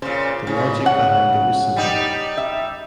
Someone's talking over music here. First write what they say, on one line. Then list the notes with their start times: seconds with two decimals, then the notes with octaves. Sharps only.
The logic behind it was simple.
0.02 A#2 C#3 C5
0.47 C#3
0.86 F#5
1.76 G3 D#4
2.37 E5